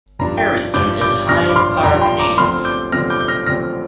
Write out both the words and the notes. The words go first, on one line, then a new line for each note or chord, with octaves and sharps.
Hairston is a Hyde Park native.
G2 F3 D4 A#5
G5
G2 F3 D4 D6 G6
D6 G6
G2 F3 D4 F6 A#6
D6
C6 F6
G5
G2 F3 D4 A#5
G5 C6
A#5 D6
D2 D3 F3 C4 C6 F6
D6 G6
D2 D3 F3 C4 F6 A#6
D6 G6
G6
F6 A#6
D2 D3 F3 C4 F6 A#6